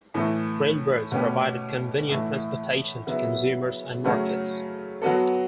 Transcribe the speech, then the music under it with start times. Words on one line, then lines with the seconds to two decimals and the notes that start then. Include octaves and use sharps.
Railroads provided convenient transportation to consumers and markets.
0.14 A2 E3 A3
1.11 B2 A3 C#4 G4 B4
2.09 A2 E3 A3 E4
3.07 C#3 F#3 B3 E4
4.04 C#3 F#3 A3 C#4
5.02 F#3 B3 F#4 A4